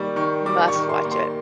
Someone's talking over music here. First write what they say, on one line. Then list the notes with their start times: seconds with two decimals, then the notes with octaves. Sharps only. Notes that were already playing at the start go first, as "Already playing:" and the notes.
You must watch it
Already playing: D#3 G3 A#3 C#6
0.16 D#3 C#6
0.46 G3 D6
0.68 C#6
0.75 D#3
0.89 C6
1.05 A#3
1.12 C6